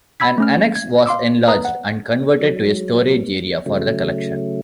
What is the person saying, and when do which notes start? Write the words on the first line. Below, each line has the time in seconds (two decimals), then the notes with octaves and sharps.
An annex was enlarged and converted to a storage area for the collection.
0.20 B5 E6 G#6 B6
0.38 A3 C#4 F6
0.76 G#6
1.06 F5 C6 D6 E6
1.48 B4 A#5 D#6
1.65 F#5
2.41 F#3
3.66 C#3 F#3 A3